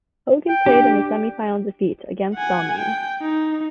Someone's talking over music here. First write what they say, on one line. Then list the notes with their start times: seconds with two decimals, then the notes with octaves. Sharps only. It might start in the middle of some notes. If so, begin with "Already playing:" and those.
Hogan played in the semi final defeat against Balmain.
0.48 G5
0.66 D4 G4
2.35 F#5 G#5
2.78 G5
3.22 D#4